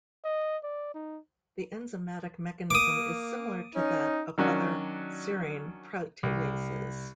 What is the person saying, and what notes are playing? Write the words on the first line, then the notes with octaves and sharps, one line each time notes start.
The enzymatic mechanism is similar to that of other serine proteases.
D#5
D5
D#4
A#3 D6 D#6
C#4 D#4
D#3 F#3 C#4 D4 F#4
C2